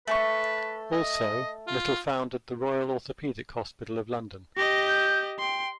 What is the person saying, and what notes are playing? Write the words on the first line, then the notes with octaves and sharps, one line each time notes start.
Also, Little founded the Royal Orthopaedic Hospital of London.
A3 A4 B4 C#6
D#5
F4
G4 D#5 A#6
G6
G5 C6